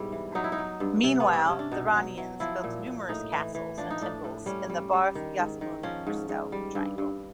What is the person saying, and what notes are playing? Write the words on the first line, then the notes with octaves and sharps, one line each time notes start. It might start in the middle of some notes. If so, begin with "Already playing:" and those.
Meanwhile, the Ranians built numerous castles and temples in the Barth-Jasmund-Gristow triangle.
Already playing: G#2 B2 G3 E4
E3
F#3 D#4
E4
D#4
F#3
G2
C3
B3
C3
C4
C3 C#4
D4
B2 D#4
F#3
F#3
F3 E4
A#2
A#2
A2 D#4
E3
E3
F3 D4
D#4
A2 D4
A2
G3 C#4
G3
G3
D#3
G#2
D#3
F3 C#4
G#2
G#2
G3
G2
G2